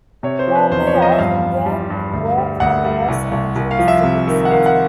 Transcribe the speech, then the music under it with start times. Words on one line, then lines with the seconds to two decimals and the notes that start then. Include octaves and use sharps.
While mayor, he began work on the Los Angeles Civic Center.
0.23 C3 C#5
0.39 C5
0.47 F3
0.55 B4
0.71 E2 C5
0.87 C#5
0.94 F3
1.02 D#5
1.12 E5
1.18 G2 F5
1.42 G2
1.66 G3
1.90 G2
2.13 D2
2.38 G3
2.60 D2 F#5
2.84 G3
3.08 C2
3.31 C2
3.56 C2
3.71 F5
3.79 F3
3.88 E5
4.03 C3
4.27 D#3
4.45 F#5
4.51 D#3 F5
4.66 F#5